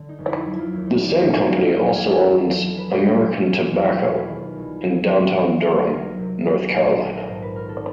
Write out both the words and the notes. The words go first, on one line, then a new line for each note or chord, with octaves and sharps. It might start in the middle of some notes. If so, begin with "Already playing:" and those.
The same company also owns American Tobacco in downtown Durham, North Carolina.
Already playing: D3
D#4
F1
E4
F#3 E4
F4
D#2 E4
D#4
D3 D4
D#4
F1 C#4
D4
F#3 E4
F4
D#2 G4
G#4
F#3 A4
E2
E2
B4
B2 B4
G#4
F#3 F#4
F4
E2
E4
E2 F4
G4
B2 G#4
B4
D#3
C2
F#3
C3
D#3
C2
F#3 A#4
C3
D#3
A#1
A#1 A4
A#4
G#2 C5
B4
D#3 A#4
A4